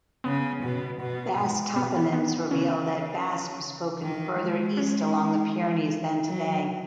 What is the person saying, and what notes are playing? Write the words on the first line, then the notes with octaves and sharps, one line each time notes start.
Basque toponyms reveal that Basque was spoken further east along the Pyrenees than today.
C#3 B3
B2
B2
G#2
B2 B3
B3
C#3 C#4
D#3
G#3
C#4
F#3